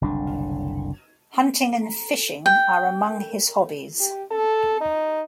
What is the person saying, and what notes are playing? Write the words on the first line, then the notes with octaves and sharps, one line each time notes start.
Hunting and fishing are among his hobbies.
F#1 C2 D3 D4
G5
G4
A4
D#4